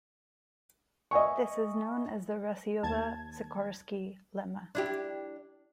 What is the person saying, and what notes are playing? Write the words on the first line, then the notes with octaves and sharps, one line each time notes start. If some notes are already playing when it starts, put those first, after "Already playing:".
This is known as the Rasiowa-Sikorski lemma.
D#5 E5 G#5 C#6
D#2 A5 G#6
D4 E4 G4